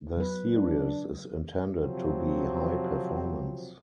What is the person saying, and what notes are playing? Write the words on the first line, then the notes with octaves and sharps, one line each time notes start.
The series is intended to be high performance.
F#3 B4
D4
C3 F3 F#3 C4